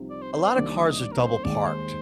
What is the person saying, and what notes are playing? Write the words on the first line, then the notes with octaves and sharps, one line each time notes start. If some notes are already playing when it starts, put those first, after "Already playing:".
A lotta cars are double-parked.
Already playing: C2 C3 F3 C4 D#4
D5
C5
C5
C5
C2 C3 D#3 A#3 D4 D5
D#5
D#5
D5
A#4
C5
D#2 D#3 G#3 D5
C5